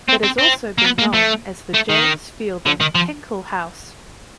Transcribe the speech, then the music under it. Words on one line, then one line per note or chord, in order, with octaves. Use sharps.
It has also been known as the James Fielding Hinkle House.
C4
C4
C4
A#3
B3
A#3
A3
A3
D#3
D3
D#3
F3